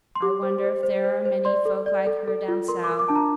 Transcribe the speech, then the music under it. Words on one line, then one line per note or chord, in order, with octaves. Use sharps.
'I wonder if there are many folk like her down South.
C6
G4 D6
C5
C5
C5
C5
C5
D5 C6
A4
D5
A4
A4
F4
A#4 C6
D6
A#4
D6
D4 A5
A#5